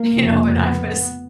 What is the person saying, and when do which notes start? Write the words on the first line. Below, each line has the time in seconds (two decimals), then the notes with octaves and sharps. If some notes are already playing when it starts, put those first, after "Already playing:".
you know, but, I was
Already playing: A#3
0.14 F1 F2 C#3
0.62 B3